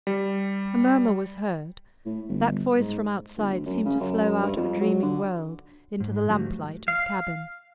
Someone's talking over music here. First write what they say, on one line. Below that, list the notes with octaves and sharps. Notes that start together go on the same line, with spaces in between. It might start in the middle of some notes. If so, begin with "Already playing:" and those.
A murmur was heard; that voice from outside seemed to flow out of a dreaming world into the lamp-light of the cabin.
G3
A2
G1
G#2
G1
D2
F#2
C#3
F#2
G2
F2
F#3
D3
G#2
D3 F3 G3 A3 F#4
F5